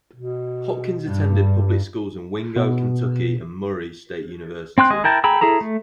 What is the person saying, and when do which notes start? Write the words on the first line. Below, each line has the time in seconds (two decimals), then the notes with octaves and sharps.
Hopkins attended public schools in Wingo, Kentucky and Murray State University.
0.16 B2
1.06 G2
2.56 B2
4.78 C4 G5 C6 F#6
4.90 G#3 D#5
5.04 E4 A#4 G5 A5
5.24 G#4 G5 A#5 B5 E6
5.41 E4 G#4 A4 A#5
5.61 A3